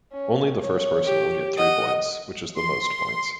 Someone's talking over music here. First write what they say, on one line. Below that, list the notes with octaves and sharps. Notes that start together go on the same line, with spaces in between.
Only the first person will get three points, which is the most points.
C#4
C#5
G4
D#5 F#5
C6